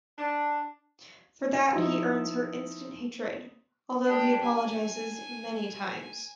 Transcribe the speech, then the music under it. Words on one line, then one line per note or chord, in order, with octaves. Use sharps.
For that, he earns her instant hatred, although he apologizes many times.
D4
F3 D#4 E4
D4 G4
G#5